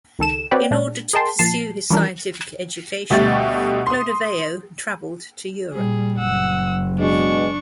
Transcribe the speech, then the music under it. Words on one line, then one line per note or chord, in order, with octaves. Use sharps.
In order to pursue his scientific education, Clodoveo traveled to Europe.
C#2 D#3 A4 E7
C4 F#4 B4 C#5 D5 G5
A#2 G#3 D4
G#4 A#4 D#5 G5 A5 C6
A#2 F3 A5 C7
E3 F3 G3 C#4 D4 A#4
D2 B2 G3 A3 G4 A6
C6 D#6
A#2 G3 G#4
F#1 F#5 E6
B2 G#3 D4 C#6